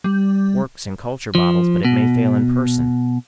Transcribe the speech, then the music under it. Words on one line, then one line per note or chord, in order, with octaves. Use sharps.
It works in culture bottles, but it may fail in person.
G3
F3
B2